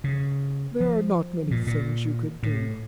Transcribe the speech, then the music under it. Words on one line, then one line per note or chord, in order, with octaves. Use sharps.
"There are not many things you could do."
C#3
F3
A#2
A#2
A2